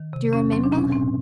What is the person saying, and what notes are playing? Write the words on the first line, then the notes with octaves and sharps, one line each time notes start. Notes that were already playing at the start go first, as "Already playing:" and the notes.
"Do you remember?"
Already playing: D#3
C3
E2 C#4
F#3 C4
D4
B2 C#4
A2 C4